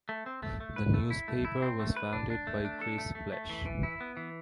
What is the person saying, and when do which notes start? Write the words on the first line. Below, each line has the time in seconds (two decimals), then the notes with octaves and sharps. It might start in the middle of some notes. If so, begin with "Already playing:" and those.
The newspaper was founded by Chris Flash.
0.09 A3
0.26 C4
0.43 A3
0.60 A3
0.76 B4
0.94 A3
1.10 E4
1.28 A3
1.45 E4
1.62 C4
1.79 A3
1.96 B4
2.13 D4
2.30 D4
2.47 A3
2.65 D4
2.81 A4
2.98 A3
3.15 A3
3.32 A3
3.50 E3
3.66 E3
3.83 E4
4.00 B3
4.17 E3